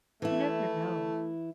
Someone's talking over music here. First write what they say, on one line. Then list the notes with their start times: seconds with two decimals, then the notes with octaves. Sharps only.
You never know.
0.22 E3 A3 E4